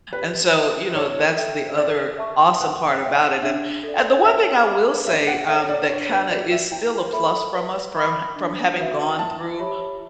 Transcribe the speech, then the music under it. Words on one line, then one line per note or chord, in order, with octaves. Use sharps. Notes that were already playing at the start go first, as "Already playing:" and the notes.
And so, you know, that's the other awesome part about it. And, uh, the one thing I will say, um, that kinda is still a plus from us from h from having gone through
G4 B4
B4 E5
E4 C#5
A4 E5 G5
A4 D5
E5 A5 C#6
B4 F#5
G5
E5 G5
F#5
D4 E5
A4 D5
C#5 E5
E5 B5 D6
D4 E5
F#5
A4 C#5 E5 F#5
D5
D4 C#5
B4
F#4 B4 D5
E5
E4 G5
A4 E5 B5
B4
E5 B5 D6
D4
F#4 B4 E5
E4 A5
G4 C#5 E5 B5